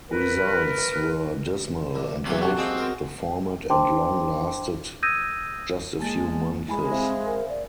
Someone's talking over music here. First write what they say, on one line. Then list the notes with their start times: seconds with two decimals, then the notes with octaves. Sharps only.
Results were dismal, and both the format and Long lasted just a few months.
0.10 A#4 B4
1.95 E2 D3
2.26 C3 E3 F#3 A#3 C6
2.42 F#4 G4 A5
2.58 G#3 A#3 C4
2.77 B3 A#4
3.69 D4 C5 G5 A5 C6 D6
5.03 D#6 E6 G6 G#6 A#6 D#7
6.00 G#3 A#3 G#5 A5 A6
6.68 G#3 E4 G#5 B5
6.92 C4 C5 E5 F5
7.26 A#4
7.49 D5